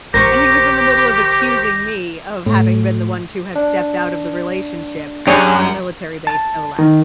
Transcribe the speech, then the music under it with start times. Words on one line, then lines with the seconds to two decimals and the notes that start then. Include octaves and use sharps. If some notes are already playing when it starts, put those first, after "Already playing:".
and he was in the middle of accusing me of having been the one to have stepped out of the relationship, on a military base, no less.
0.14 A#1 D#3 G4 A#4 C5 C#6 G6 A#6
2.46 A2
3.56 D4
5.27 F#2 D4 G4 G#4 C#5
6.27 A5
6.79 D#3